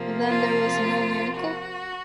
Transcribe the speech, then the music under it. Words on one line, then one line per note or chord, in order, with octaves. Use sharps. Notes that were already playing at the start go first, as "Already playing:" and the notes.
Then there was no miracle?
Already playing: C3 F3 A#3
F4
F#4